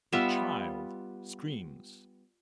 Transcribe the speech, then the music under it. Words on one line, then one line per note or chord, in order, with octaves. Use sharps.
The child screams.
G3 B3 F4 E5